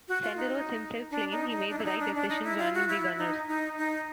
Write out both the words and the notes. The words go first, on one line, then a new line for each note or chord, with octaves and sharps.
Senderos himself claimed he made the right decision joining the Gunners.
F#4
F4
D#4
D4
D#4
D#4
D4
E4
D#4
D4
D4
D#4
E4
F4
F#4
E4
D#4
D#4
D#4